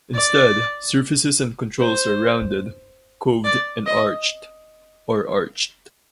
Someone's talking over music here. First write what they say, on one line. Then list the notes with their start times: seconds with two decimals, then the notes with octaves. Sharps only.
Instead, surfaces and controls are rounded, coved, or arched.
0.13 D5
1.79 C5
3.44 D5
3.86 D#5